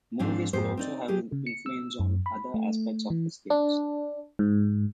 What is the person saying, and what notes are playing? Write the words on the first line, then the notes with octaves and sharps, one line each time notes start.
Movies would also have influence on other aspects of his games.
G#2 F3 C4 D4
F2 G#2 C4 C5
C4 D#4 D5
F#3 C#4 G4 G#4
C#3
C#7
E6
F#2
B5
A3
E3
D4
G#2